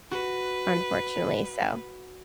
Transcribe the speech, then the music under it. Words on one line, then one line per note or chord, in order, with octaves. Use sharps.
unfortunately, so
F#4 B4